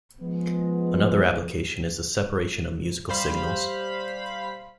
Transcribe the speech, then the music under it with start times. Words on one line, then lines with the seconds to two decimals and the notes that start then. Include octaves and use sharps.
Another application is the separation of musical signals.
0.21 F3 G#3 B3
3.09 G3 C5 F5 B5 B6